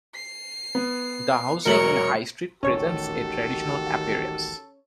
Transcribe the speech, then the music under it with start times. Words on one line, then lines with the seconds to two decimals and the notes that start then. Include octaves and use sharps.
The housing in High Street presents a traditional appearance.
0.15 C7
0.75 B3
1.65 E1 F#3 A#4 C#5 C#7 F#7
2.63 D#1 A1 D#3 C#4 F#4 G4 A4 C#5